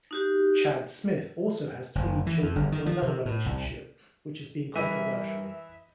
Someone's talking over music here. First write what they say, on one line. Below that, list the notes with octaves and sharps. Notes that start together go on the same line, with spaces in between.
Chad Smith also has three children from another relationship, which has been controversial.
D#4 F#4 G4
F#1
E3
F2
G1
D#3
F3
C3
A2
C2
E3 G3 A#4 B4 D#5 E5 D#7